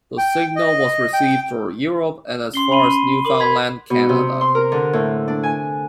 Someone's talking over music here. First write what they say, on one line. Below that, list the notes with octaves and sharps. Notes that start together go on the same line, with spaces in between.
The signal was received throughout Europe and as far as Newfoundland, Canada.
G5
D#5
G5
C#4 C6 C7 G7
B5 C6 D#7
A#4 D6 F#7
B5 G#6 B6
B2
C3
C6
A#4
D3
A2
D4
G#5